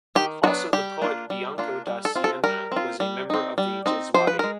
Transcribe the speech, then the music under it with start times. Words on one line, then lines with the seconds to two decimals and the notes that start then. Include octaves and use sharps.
Also the poet Bianco da Siena was a member of the Jesuati.
0.15 D#3 G4
0.43 F#3 B3 D4 F#4
0.73 G3 G4
1.02 A#3 D4 F4
1.30 G3
1.58 A#3 D4 F4
1.87 G3
2.05 A4
2.16 C4 F4
2.24 A4
2.44 G3 A#4
2.72 C4 F4
3.00 G3
3.30 C4 D#4
3.58 G3
3.86 C4 D#4
4.14 F3 C5
4.27 B4
4.39 G#3 A#4